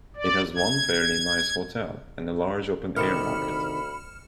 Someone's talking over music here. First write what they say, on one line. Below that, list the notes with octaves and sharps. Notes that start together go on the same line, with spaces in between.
It has one fairly nice hotel and a large open-air market.
D5
G#6
D2 C3 D#3 B5 F6 C#7 E7